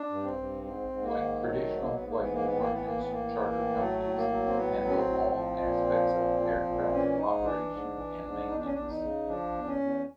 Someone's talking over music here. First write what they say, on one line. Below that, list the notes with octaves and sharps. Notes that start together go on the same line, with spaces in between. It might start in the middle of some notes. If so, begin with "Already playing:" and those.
Like traditional flight departments, charter companies handle all aspects of aircraft operation and maintenance.
Already playing: D4
G2
C4
G2
G#2 C4
G#2
A#3
D#3
F#3 A3
G#2
A#3
G#2 B3
A#3
E3 B3
A#3
A2 B3
A#3
E3 B3
A#3
A2 B3
A#3
E3
A2
F#3 A3
A2
A#3
F#3
C4
A2 B3
F#3
C#4
C4
A2
F3
A#2
F3
A#2
F3
A#2
E3 C#4
G#2 D#4
E3 D4
G#2
E3
G#2
E2 D#4
D4
C#4
E2 D4
D#4
C#3
F3 D4
E2
C#4
E2